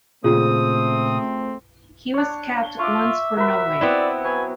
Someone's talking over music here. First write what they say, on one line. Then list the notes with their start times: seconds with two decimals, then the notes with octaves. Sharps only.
He was capped once for Norway.
0.24 A#2 C#3 A3 C4 F4 G#4 D#6
2.14 D4 C#5
2.79 F4 E5 C#6 D6
3.37 F#4 A#4 B4 E5
3.81 B3 C4 E4 D5
4.24 F#3 B4 G#5